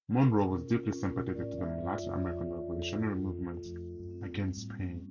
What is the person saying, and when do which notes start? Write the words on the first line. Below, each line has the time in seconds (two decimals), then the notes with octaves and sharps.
Monroe was deeply sympathetic to the Latin American revolutionary movements against Spain.
0.20 C3 A#4
0.30 B2
0.40 A#2 C#4
0.49 B2
0.66 F4
0.89 C3 C#4
1.11 B2 A#4
1.35 A2 D5
1.58 G#2 E5
1.80 G2 F4
2.03 F#2 C#5
2.26 F2 F4
2.50 E2 C#5
2.72 F2 A4
2.96 F#2 F4
3.19 F2 F4
3.42 E2 A3
3.64 F2 A3
3.89 C4
3.99 F#2
4.11 C4
4.34 G2 G3
4.57 A2 A#3
4.80 G2 C#4